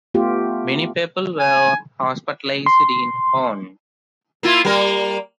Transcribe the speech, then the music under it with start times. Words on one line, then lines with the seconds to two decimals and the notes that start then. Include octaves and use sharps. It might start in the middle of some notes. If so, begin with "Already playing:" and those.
Many people were hospitalized in Hoorn.
0.14 A3 B3 F4 G4
1.40 G#5
2.66 C6
4.43 A#3 E4 F4
4.65 G3 A#3 A#4